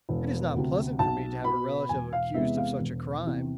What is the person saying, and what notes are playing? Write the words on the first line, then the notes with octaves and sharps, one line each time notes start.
It is not pleasant for me to have a relative accused of such a crime.
E1
D2 C3
B1 A5
B2 B3 B5
E1 G#5
F5
E2 C3 G#3 B3 E5
F5
E1
E2 C3